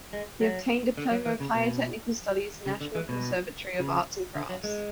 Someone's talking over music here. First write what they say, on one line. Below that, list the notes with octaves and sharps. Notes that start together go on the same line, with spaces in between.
He obtained diploma of Higher Technical Studies National Conservatory of Arts and Crafts.
G#3
F#3
D3
F#3
E3
C#3
B2
C#3
D3
E3
B2
C#3
D3
F#3
G#3